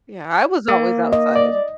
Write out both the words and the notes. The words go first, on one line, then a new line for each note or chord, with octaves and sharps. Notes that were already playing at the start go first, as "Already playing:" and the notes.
Yeah, I was always outside.
A#3
D#5
D5